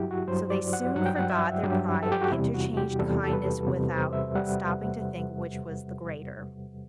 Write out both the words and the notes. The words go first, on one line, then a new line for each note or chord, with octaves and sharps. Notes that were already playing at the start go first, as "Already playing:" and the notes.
So they soon forgot their pride and interchanged kindnesses without stopping to think which was the greater.
Already playing: G2 F#3 E4 F#4 G4
F#4
G2 F#3 C5
D5
F#5
G2 F#3 F#5
G5
F#5
E5
G2 F#3 G4
A4
G4
F#4
E2 C3 G3 E4
F#4
G4
E2 C3 G3 A4
A4
B4
E2 C3 G3
C5
E5
G3 F#5